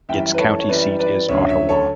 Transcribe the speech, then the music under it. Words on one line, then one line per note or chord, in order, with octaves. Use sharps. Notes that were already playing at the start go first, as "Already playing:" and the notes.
Its county seat is Ottawa.
F#2 E3 G3 E5 G5
B4
A4 C#5
C#5
F#2 E3 G3 B4 D5
B4 D5
D2 C#3 F#3 C#5 E5
C#5 E5
A4 C#5